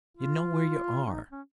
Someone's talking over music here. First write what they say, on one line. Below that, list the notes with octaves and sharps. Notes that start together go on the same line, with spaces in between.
You know where you are.
F4
C#4
D#4
C#4